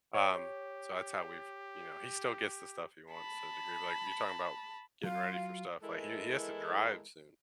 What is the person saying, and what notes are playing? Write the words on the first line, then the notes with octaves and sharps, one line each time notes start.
Um, so that's how we've, you know, he still gets the stuff he wants to a degree, but, like, you're talking about getting ready for stuff, like, he he has to drive soon.
G4 C#5
A5 B5
F#3 F4 F5
E3 G#3 E4 A4 A#4